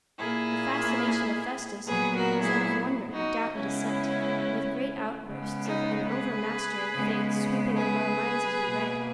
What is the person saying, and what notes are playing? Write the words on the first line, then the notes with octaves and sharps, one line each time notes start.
The fascination of "Festus" was that of wonder, doubt, and dissent, with great outbursts of an overmastering faith sweeping over our minds as we read.
A#2 A#3 E4 G#4
A#2 F#3 B3 G#4 B4
F#4 A#4
E4 G#4
D#4 F#4
C#3 G#3 B3 C#4 E4
C#3 G#3 B3
D#4
G#4 B4
C#3 G#3 B3
G#4 B4
B2 A#3